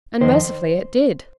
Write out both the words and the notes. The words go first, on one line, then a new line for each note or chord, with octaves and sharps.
And mercifully it did.
F2 C3 D#3 C5